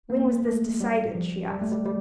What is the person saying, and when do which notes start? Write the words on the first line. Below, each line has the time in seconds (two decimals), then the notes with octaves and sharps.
"When was this decided?" she asked.
0.10 A#3
0.45 A3
0.80 G3
1.15 F3
1.50 G3
1.61 A3
1.72 G3
1.85 G3